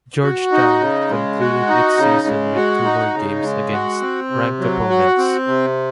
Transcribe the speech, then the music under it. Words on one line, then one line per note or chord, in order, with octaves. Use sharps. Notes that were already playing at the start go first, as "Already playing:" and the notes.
Georgetown concluded its season with two more games against ranked opponents.
F#4
D#4
C#3
G#3
F#4
D#4
C#3
G#3
F#4
D#4
C#3
G#3
F#4
C4
C3
F#3
F#4
C4
C3